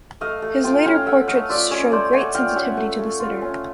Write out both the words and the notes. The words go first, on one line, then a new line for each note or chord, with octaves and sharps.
His later portraits show great sensitivity to the sitter.
A3 D#5 F5
A3
F4 G5 A5
C#4 F5 G5
A3 E5 F#5
A3 D#5 F5
F4 D5 E5
C#4 C#5 D#5
A3 C5 D5
A3 F#5 G#5
F4 F5 G5
C#4 E5 F#5
A3
A3
F4
C#4